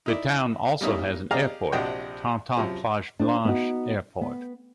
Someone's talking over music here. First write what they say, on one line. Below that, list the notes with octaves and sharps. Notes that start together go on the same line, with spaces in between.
The town also has an airport, Tan Tan Plage Blanche Airport.
D#4 E4 D5
G3 A#3 C#4 D#4 E4
G4 G#4 D5 D#5 F5 A#5
A#1 C3 D4 F#4 D#5 G5
F#2 C3 F3
D4 C5
B3 D#4 F#4
B3